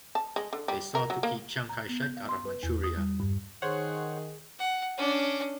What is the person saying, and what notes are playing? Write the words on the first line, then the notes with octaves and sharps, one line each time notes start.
They sought to keep Chiang Kai-shek out of Manchuria.
A5
G#3
D3
G3
A#4
F#3
A#3
A#5
B3
G6
F5
C6
B4
E2
D#6
G3
G2
D#3 G#4 C5 C#5 F#5
F#5
C#4 D4